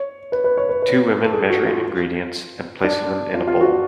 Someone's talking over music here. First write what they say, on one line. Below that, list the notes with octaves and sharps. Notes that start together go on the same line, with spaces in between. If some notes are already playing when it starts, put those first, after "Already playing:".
Two women measuring ingredients and placing them in a bowl.
Already playing: C#5
B4
B4
C#5
B4
B4
A4
G#4
F#4
F4
D4
F4
F4
F#4